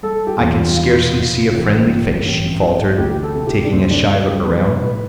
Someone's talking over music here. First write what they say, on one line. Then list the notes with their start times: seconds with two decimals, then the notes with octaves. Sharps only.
"I can scarcely see a friendly face," she faltered, taking a shy look around.
0.03 G3 A4
0.27 G4
0.39 E2
0.52 F4
0.76 F1 F4
1.13 C3 F4
1.50 A1
1.87 G2
2.25 A1
2.61 E3
2.98 D2 G4
3.23 A4
3.35 C3
3.47 G4
3.65 D4
3.72 D2 C4
3.91 D4
4.09 G3
4.28 G4
4.46 B1 B4
4.65 B4
4.83 A2 B4